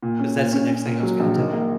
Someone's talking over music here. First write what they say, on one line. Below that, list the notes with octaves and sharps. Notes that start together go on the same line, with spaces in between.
'cause that's the next thing I was gonna tell ya.
A#2
C#4
A#2
C#4
C#4
A#2
F#3
A#1
D#3
A#3